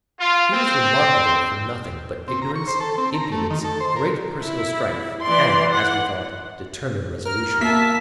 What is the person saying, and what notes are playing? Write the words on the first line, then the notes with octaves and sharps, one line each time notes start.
He was remarkable for nothing but ignorance, impudence, great personal strength, and, as we thought, determined resolution.
F4
C4
C4
A#5
C#6
C5
A4
C4
A#5
A3
D#3
A4
C5
A#4
E4
E3 D5 C6
F#5
A#4 F6
A#3 E5 A5 B6